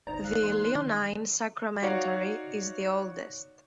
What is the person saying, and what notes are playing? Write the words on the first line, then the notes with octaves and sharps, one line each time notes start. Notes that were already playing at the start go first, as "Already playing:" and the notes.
The "Leonine Sacramentary" is the oldest.
D1 G1 D#4 C5 D5 A#5
F5 F#6
E3 A#3 C6
D#3
D#4 F#4 C#5 D5 F5